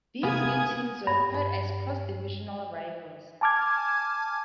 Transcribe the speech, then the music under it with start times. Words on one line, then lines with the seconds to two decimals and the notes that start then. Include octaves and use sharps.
These new teams were paired as cross-divisional rivals.
0.23 C3 A#3 B3 G#5 D#6 G#6
1.07 G2
3.41 G#5 A5 D6 F6 G#6